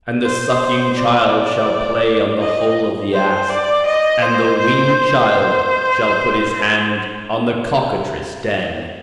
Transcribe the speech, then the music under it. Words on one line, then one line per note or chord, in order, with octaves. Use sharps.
And the sucking child shall play on the hole of the asp, and the weaned child shall put his hand on the cockatrice' den.
C5
D5
D#5
C5
D5
D#5
C5
C5
C5